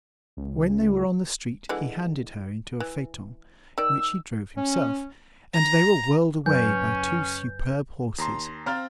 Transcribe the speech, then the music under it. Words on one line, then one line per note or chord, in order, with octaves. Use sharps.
When they were on the street he handed her into a phaeton, which he drove himself, and they were whirled away by two superb horses.
C#2
D3 E3 G#3
E3
D#3 D5 E6
C#4
A#5
F#1 F#3 C#4 B4 G#5 G6
D#2 A#5 C6
C4 C5 F5 A#5 F6 A6